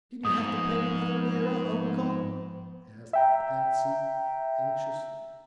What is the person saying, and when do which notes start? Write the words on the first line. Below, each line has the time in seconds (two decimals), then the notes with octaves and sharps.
"Did you have to pay another lira, Uncle?" asked Patsy, anxiously.
0.25 G#2 F3 B3 D#6
3.13 E5 G5 A#5